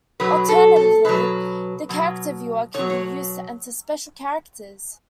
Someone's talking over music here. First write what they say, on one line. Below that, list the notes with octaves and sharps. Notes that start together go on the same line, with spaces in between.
Alternatively the Character Viewer can be used to enter special characters.
B2 F#3 B4
A4
A4
B2 F#3 B4
B2 F#3
B2 C#5
F#3
C#5